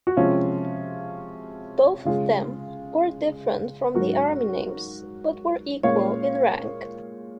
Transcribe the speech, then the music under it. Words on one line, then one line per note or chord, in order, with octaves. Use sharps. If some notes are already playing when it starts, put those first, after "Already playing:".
Both of them were different from the army names, but were equal in rank.
F#4
C3 F3 G#3 C4 C#4 F4
C#3 G#3 C#4 F4 G#4
G#2 F#3 C#4 F#4 A#4
A#2 G#3 C#4 C#5 F5